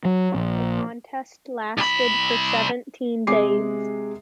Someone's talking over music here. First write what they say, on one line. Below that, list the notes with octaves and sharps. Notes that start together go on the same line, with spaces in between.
The contest lasted for seventeen days.
F#3
A#1
C2 B5
C3 G#3 G#4 D6 C7